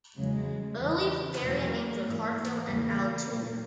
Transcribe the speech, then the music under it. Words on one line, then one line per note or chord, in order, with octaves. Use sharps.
Early variant names were Clarkville and Altoona.
E2 C#3 F#3 G#3
E2 C#3 E3
E2 B2 F#3 A#3
G#2 E3 A#3
E2 C#3 E3
A#2 F#3